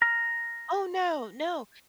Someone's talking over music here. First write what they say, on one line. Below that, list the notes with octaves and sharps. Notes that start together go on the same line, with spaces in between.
Oh, no, no.
A#5 F6